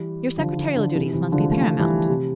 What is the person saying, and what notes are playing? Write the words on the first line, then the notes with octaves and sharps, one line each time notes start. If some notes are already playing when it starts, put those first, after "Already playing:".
Your secretarial duties must be paramount.
Already playing: E3 G3
D3 F3
D3
D3
C3 E3
C3 E3
D3 F3
F3 A3
E3 G3
C3